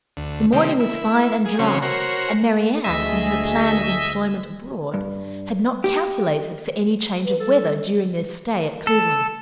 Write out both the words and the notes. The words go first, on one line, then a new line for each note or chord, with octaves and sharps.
The morning was fine and dry, and Marianne, in her plan of employment abroad, had not calculated for any change of weather during their stay at Cleveland.
D2
C3 D#3 G3
E4
G#4
C#3 F#3 C4 C#4
F#4 A#4 C5 C#5
D2 G#4 D#5 E5 E6
G2
G4
B4
G3 A4
A4